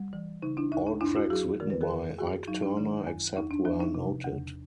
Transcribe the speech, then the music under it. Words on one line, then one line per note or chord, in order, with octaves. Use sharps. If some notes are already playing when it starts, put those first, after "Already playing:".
All tracks written by Ike Turner except where noted.
Already playing: G3
E3
C#3 D#4
D4 E4
D2 D#4
D#4
F#2 D4 E4
E4 F#4
F#3 F#4 G#4
D#3 A#4
B4
G#4 A#4
F#2
F#2 F#4 G#4
F#3 D#4
D4
D#3
F#2
E2 D#4
D4
F3 D4
D#4
C3
E2